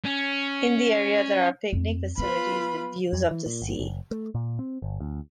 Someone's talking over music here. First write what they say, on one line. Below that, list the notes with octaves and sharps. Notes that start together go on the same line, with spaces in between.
In the area, there are picnic facilities with views of the sea.
C#4
F2
B3 F4 B4 B5
F2
E3
A#2
G1
F#1
A3
A#2
C4
G1
D2